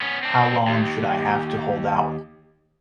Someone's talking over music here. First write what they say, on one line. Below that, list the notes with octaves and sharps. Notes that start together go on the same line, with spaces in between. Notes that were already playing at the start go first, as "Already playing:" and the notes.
How long should I have to hold out?
B3 C#4
C4 D4
D#2 G4